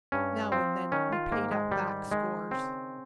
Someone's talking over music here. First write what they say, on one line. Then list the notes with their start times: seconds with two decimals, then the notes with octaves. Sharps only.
Now and then we paid up back scores.
0.12 G2 C#4
0.52 F3 C4
0.92 D#3 C#4
1.12 F4
1.32 G#2 A#3
1.51 G#3
1.71 D#3 G3
2.12 D#3 G#3
2.51 C#3 C4